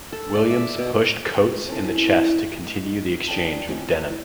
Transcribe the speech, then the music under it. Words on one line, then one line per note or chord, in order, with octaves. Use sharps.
Williams pushed Coates in the chest to continue the exchange with Denham.
A4
D5
E5
B2
C4 C#4 E4 A4
G#3
G#4 D5 G5 A5 A#5
D#3 F3 G#3 C4 C#4
E2 D#3